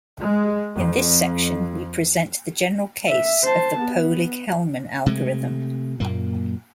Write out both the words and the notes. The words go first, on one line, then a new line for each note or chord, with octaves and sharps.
In this section, we present the general case of the Pohlig-Hellman algorithm.
G#3
F2
E5
C5 A5
B3
C3 G#3 A3
F#2 A#2 A#3